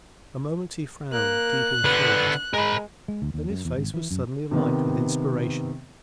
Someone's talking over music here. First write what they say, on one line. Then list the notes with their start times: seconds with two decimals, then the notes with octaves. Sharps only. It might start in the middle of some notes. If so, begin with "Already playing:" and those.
A moment he frowned, deep in thought; then his face was suddenly alight with inspiration.
1.13 A#3 F#6
1.85 D3 B3 B4
2.54 G#3 A#4 B5
3.08 G#3
3.22 D2
3.34 D#2
3.50 F#2
3.65 E2
3.77 G#1
3.94 E3
4.11 F#2
4.51 C3 D#3 B3